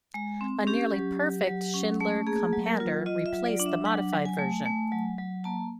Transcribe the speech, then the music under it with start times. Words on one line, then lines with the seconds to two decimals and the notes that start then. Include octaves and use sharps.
A nearly perfect Shindler Compander replaced the modified version.
0.14 G#3
0.41 C4
0.67 C#4 G4
0.94 F#3
1.20 F#3
1.47 F#3
1.74 C#4
2.01 A3
2.27 A#3 G#4
2.53 F#3
2.66 A#4
2.80 F4
3.06 F4 D#5
3.26 E5
3.33 F#3
3.46 D5
3.60 D4
3.66 E5
3.85 F#3 F#5
4.12 F#3
4.25 G#5
4.39 A3
4.65 A3
4.92 F#3
5.18 F#3
5.44 A#3 A5